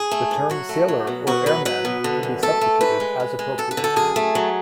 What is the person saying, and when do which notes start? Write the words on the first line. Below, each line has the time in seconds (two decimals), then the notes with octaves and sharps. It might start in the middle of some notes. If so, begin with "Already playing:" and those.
The term "Sailor" or "Airman" can be substituted, as appropriate.
Already playing: G#4
0.11 A3
0.31 G#2
0.50 F#3 F#4
0.69 A3
0.88 F#3
1.07 B2
1.27 B2 F#4
1.46 F#3 B4
1.65 F#3 B4
1.85 B2
2.04 D3
2.23 F#2
2.43 A3 A4
2.61 A3
2.81 G#2 B4
3.00 G#3
3.20 G#3
3.39 G#3
3.58 F#2 A4
3.71 B4
3.77 D3
3.84 A4
3.96 F#2 G#4
4.16 A3
4.35 F#3